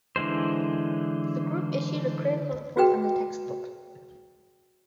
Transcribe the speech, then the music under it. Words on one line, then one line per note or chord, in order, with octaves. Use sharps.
The group issued a critical report on the textbook.
D3 E3 G#3 C5
F#4 G#4 B4 G5